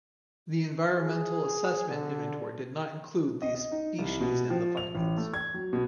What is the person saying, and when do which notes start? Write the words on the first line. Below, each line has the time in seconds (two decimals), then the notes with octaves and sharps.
The Environmental Assessment inventory did not include these species in the findings.
0.97 G#4
1.88 D3
3.42 D#5
3.55 D#5
3.72 D#4
3.99 C2
4.21 B2
4.50 F3
4.77 F7
4.95 A1
5.17 A3
5.34 G#6
5.54 F#3
5.73 B2